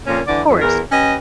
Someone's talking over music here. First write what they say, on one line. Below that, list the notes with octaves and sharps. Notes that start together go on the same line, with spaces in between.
Of course.
F2 A#2 A#3 C#4
D3 E3 D5
F2
E2 A#4
C#4 G4 B4 D#5